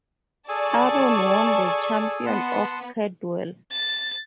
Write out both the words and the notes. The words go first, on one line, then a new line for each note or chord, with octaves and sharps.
Aron won the Champion of Cadwell.
G#4 A4 D5 G#5 A5 C#6
B3 F#5 A5 C6
A6